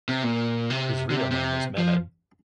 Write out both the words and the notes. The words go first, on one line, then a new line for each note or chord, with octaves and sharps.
His real name is Mehmed.
C3
A#2
C3
D3
C3
C3
F3